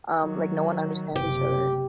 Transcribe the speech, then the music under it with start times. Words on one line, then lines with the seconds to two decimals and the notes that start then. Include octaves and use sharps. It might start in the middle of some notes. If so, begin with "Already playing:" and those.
um, like, no one understands each other?
0.21 D#3 F#3
1.16 F#1 C3 G4